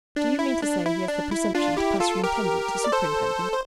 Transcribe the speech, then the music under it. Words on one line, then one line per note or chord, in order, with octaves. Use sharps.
"Do you mean to say he has the presumption to pass from intendant to superintendent?"
D4
E4
D4
E4
D4
E4
D4 F4
E4 G4
F4 A4
G4 A#4
D5
A4 C5
C5